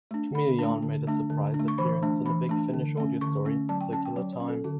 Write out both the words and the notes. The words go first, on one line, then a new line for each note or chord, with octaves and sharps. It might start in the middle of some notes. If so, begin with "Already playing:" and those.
Kamelion made a surprise appearance in the Big Finish audio story "Circular Time".
A3 D4
D3 B5
A3 D4
D3
A3 D4
D3
D4
A3
C#6
E3 B5
A3 D4
E3 B5
A3 D4
D3
A3 C#4
D3 C#6
A3 C#4
F#3 A5
G5
C#4 A5
G5
F#3 C#5
C#5
C#4
A4
D3 F#4